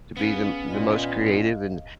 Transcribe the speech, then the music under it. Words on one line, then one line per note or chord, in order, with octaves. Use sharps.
to be the the most creative, and,
B3 C#4 G#4 F5
A#2 D#5 F5